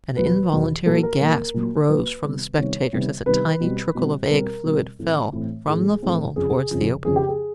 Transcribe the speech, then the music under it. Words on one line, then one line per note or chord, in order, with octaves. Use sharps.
An involuntary gasp arose from the spectators as a tiny trickle of egg fluid fell from the funnel towards the open beaker.
E2 B2 F#3 B3 B4
E2 B2 F#3 B3
A#2 F#3 A#3 A4
A#4
A#2 F#3 A#3 A#4
A#2 F#3 A#3
A#2 F#3 A#3 B4
C3 D#3 G3 B3
C3 D#3 G3 B3 C#5
C3 D#3 G3 B3
C3 D#3 G3 B3 B4
B2 G3 C4
B2 G3 C4
B2 G3 C4 A#4
B2 G3 C4
A2 E3 A3 C4
A2 E3 A3 C4
A2 E3 A3 C4 G#4
A2 E3 A3 C4
F2 C#3 F3 G#4
F2 C#3 F3
F2 C#3 F3 G#4
G4
G#4